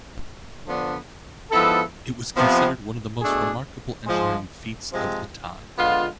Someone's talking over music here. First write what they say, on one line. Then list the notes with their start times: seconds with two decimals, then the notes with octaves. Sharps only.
It was considered one of the most remarkable engineering feats of the time.
0.66 D3 F3 B3 D4
1.51 G#2 F3 B3 E4 A4
2.37 C3 F3 B3
3.21 B2 A3 D4 G#4
4.06 G#2 F3 G#3
4.92 C3 F3 G#3 C4
5.77 D3 G#3 B3 F4